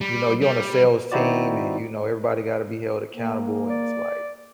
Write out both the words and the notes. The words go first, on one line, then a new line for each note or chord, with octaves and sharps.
you know, you're on a sales team and you know, everybody got to be held accountable, and it's, like
G3
G3
D#3 C4 D#4 E4 F#4 D5
A#3
D5